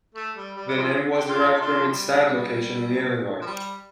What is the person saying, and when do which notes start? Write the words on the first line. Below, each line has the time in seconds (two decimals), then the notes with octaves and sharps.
The name was derived from its type location in Illinois.
0.14 A3
0.36 G3
0.56 G3
0.68 G3
0.77 F3
1.17 G4
1.29 D4 F4
1.55 D#4
1.60 D4 F4
1.80 F3
1.92 G3
2.22 G3
3.42 F3
3.46 G3